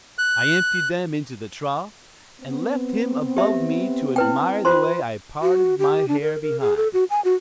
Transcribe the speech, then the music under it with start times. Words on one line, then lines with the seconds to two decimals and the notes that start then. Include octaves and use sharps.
I emptied them into the trough, and left him above me to admire the way I parted my hair behind.
0.18 F#6
2.41 B3 C4
3.37 G4 E5
4.16 E4 B4 G5
4.65 F4 C5 C6
5.42 F#4
5.79 G4
6.08 D4
6.21 A#4
6.42 A#4
6.60 G#4
6.77 A4
6.93 F#4
7.10 G#5
7.25 F#4